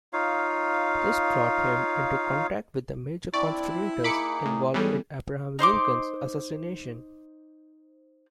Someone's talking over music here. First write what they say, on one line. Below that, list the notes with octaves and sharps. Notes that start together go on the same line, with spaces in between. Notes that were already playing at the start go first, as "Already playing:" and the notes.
This brought him into contact with the major conspirators involved in Abraham Lincoln's assassination.
D#4 F4 C#5 F5
C4 D4 E4 D5 C#6
A#3 D#4 G#4 B5 D6 C#7
A2
G#2 E3 G3 B3 C#4 G#4 A4 B4
D#4 C5 C6 D6